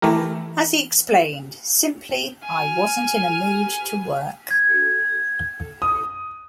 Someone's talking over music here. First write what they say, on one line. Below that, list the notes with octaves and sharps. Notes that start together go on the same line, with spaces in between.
As he explained, Simply, I wasn't in a mood to work.
E3 A3 E4 G4 A#4
G#5 F6
G#6
D#6